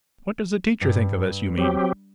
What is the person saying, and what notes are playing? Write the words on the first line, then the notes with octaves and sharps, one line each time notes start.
"What does the teacher think of us, you mean?"
G2
F#3 C4 G4